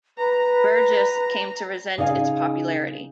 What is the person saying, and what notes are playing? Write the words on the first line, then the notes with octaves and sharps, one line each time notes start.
Burgess came to resent its popularity.
B4 A#5
C#3 D#4 D5 F5 G#5